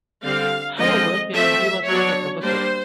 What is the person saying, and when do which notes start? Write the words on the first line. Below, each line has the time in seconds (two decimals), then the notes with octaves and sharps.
However, he was not a professor.
0.24 D3 G3 C4 F5
0.79 D3 F3 G#3 C4 D#5
1.33 F3 A3 C4 E5
1.88 F#3 B3 D4 C#5
2.43 G3 A#3 D4 C5